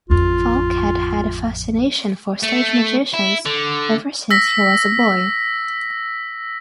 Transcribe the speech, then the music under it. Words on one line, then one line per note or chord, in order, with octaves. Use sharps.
Falk had had a fascination for stage magicians ever since he was a boy.
A1 F2 F4
A3
E4
D3
E6 A#6 B6